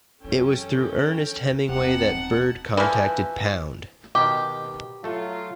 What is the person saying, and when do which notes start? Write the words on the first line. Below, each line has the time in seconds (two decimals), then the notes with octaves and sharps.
It was through Ernest Hemingway that Bird contacted Pound.
0.24 F#2 E3 C#4 A4 G5
1.69 D#1 B3 C4 D#4 F#5 A5
2.77 E3 F3
4.15 B2 D#3 G4
5.04 F#3 A3 F4 A4